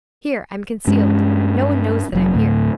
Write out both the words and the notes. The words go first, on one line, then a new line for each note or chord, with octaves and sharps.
Here I'm concealed, no one knows that I'm here.
G2 G#3 C#4
F1 F#3
D2 A2